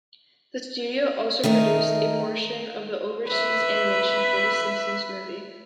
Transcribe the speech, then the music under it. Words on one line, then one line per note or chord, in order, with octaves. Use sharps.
The studio also produced a portion of the overseas animation for "The Simpsons Movie".
D#3 A3 D#4 A#4
B4 E5